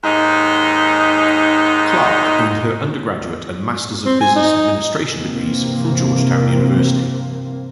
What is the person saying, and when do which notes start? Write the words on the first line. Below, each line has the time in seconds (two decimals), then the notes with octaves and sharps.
Clark earned her undergraduate and Masters of Business Administration degrees from Georgetown University.
0.03 D#2 G#2 D#4
4.05 C4
4.21 G#5
4.35 D#4
5.11 G2 C3 E3 A#3 C4